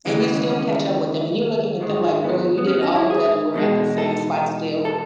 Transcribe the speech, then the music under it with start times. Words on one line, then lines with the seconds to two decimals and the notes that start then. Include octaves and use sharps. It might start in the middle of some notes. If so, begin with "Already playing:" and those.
and you still catch up with them and you're looking at them like, "Really, you did all of that and we're at the same spot still?"
0.05 D#2 C#3 E3 G#3 C#4
0.20 B3
0.35 C#4
0.50 C#4
1.80 G#2 D#3 G#3
2.24 B3
2.58 B3
2.67 C#4
2.81 D#4
2.96 E4
3.10 G#4
3.54 E2 B2 G#3
3.98 A4
4.85 A4